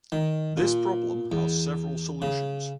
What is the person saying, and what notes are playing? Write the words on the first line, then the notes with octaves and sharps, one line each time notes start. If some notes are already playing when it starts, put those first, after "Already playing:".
This problem has several solutions.
D#3
A#2
E2
C#3